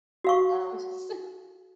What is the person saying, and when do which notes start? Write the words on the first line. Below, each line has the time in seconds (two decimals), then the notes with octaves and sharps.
um, so
0.24 F#4 F5 C#6